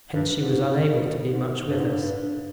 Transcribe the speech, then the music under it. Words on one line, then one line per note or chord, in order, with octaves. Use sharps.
Hence she was unable to be much with us.
G2
G#2
G#2
G2
G#2
G2